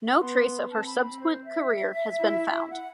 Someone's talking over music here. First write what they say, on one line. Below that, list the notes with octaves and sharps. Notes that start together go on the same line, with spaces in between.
No trace of her subsequent career has been found.
B3 C6
C4 A5
B5
B5
C5
E5
E4
F#5